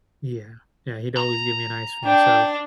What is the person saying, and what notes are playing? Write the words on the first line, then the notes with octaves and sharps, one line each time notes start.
Yeah. Yeah, he'd always give me an ice cream. So,
A#5
D4 G5